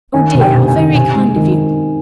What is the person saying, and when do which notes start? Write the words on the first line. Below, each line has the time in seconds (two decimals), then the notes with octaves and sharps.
Oh dear, how very kind of you!
0.14 D#3 G#5
0.35 C3
0.41 G5
0.54 C3
0.68 G#5
0.75 D#3
0.95 C3 G#5
1.15 G#3
1.35 D#3